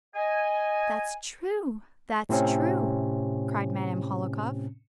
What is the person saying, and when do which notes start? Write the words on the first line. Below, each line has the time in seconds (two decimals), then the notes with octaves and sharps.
"That's true, that's true," cried Madame Hohlakov.
0.15 D#5 G#5
2.29 A2 C3 C4 C#4